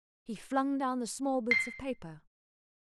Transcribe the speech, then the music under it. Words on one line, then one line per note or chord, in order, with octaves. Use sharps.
He flung down the small bits of paper.
C7